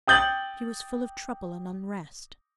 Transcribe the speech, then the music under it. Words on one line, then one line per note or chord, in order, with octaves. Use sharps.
She was full of trouble and unrest.
G5 D#6 G6 A6 F#7